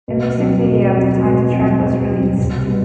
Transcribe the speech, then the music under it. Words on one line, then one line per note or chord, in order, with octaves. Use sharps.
A music video of the title track was released.
B2
F#3 C4 F#4
B2
F#3 C4 F#4
B2
F#3 C4 F#4
B2
F#3 C4 F#4
C2
B2 G3 B3